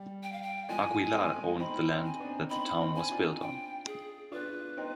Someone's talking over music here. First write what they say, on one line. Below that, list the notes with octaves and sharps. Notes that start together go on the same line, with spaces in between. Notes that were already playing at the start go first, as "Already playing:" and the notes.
Aguilar owned the land that the town was built on.
Already playing: G3
G5
F5
G5
F3 G#3 G#5
G#3 C4
C4 D#4 B5
C4 D#4
G#5
B3 D4
C4 D#4 B5
C4 D#4
G#5
D4 F4
G5
G#4
D4 F4 B4
C4 D#4